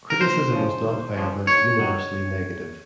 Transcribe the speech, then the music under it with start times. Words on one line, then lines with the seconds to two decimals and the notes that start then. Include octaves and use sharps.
Criticism was not, however, universally negative.
0.10 A#4
0.21 D#2 C5
0.52 C#3 F3
0.85 D#2
1.16 C#3 F3
1.47 D#2 C#5
1.79 D#3 F#3